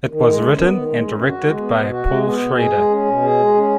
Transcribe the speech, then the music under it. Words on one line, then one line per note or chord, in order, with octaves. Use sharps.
It was written and directed by Paul Schrader.
D#3
G#3
F#2
B3
D#3
G#3
F#2
F#4
G#3
B3
B2
F#4
G#3
B3
B2
G#4
G#3
C#4
B2
G#4
G#3
C#4